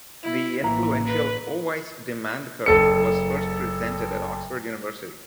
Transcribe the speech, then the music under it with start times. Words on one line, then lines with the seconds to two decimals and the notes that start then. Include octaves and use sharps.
The influential Oweiss Demand Curve was first presented at Oxford University.
0.23 E4
0.64 A1 E3 A#3 A#5
1.07 B4
2.66 F#1 A4 C#7